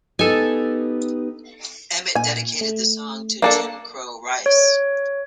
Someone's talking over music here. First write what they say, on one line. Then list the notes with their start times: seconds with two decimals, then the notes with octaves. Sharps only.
Emmett dedicated the song to "'Jim Crow' Rice".
0.19 B3 D#4 G4 A4 G#5
2.15 A#2 G#5
2.61 A3
3.42 A#3 D4 A4
4.46 C#5